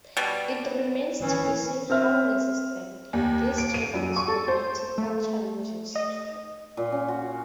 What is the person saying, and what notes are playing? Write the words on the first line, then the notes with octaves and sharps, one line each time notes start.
It remains to be seen how resistant these changes will be to court challenges.
B2 G3
E3 C#4
C4 E5 F6
D#2
D7
D#7
F#2
C#6
A4
C5
A3
D#5
A#2
C#4
F#4